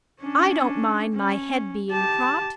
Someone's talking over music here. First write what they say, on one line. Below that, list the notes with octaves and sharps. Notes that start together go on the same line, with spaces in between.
I don't mind my head being cropped.
C#4 D4
C#4
G4 A5